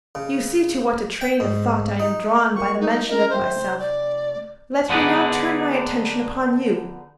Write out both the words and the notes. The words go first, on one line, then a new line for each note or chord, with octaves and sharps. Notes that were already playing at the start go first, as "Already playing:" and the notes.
'You see to what a train of thought I am drawn by the mention of myself. Let me now turn my attention upon you.
C#3
G5
G#2
D#4
G3 A#3 F#4 C#6
D#4
C#4 F4 A#4 D#5
A4 C5 E5 G5
C3 A3
D5
D3 B3 D4 D#4 G#4 B4